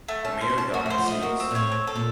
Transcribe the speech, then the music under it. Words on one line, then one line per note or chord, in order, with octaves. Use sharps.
Mayor Donald Steeves.
A3
C#4 A5
C5
C#4
A5
A#3 F#4
A3 C5
F3
A3 D#5
A#3 F#4
C4
A#2
A2 C#5
C4
A4
A#2